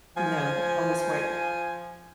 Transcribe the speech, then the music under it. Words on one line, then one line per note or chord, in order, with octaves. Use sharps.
No, always white.
F3 G#5